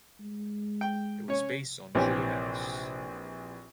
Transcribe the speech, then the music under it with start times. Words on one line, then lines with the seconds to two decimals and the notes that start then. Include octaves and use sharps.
It was based on true events.
0.20 G#3
0.81 G5
1.28 C#4 C#5
1.95 A#1 E3 C4 G4 C#5 G#5